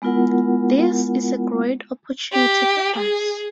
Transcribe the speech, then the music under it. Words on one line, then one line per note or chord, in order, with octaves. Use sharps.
This is a great opportunity for us.
G#3 B3 E4 F4 A#4 F#5
G4
G#4